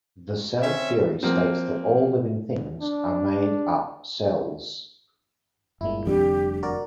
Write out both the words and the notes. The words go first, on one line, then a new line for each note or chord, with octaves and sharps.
The cell theory states that all living things are made up cells.
C4 C#4 E5
F3 A#3 C4
D4
G1 A#2 G#3 E4
F1 F2 D3 G3 G4
F#4 A#4 D5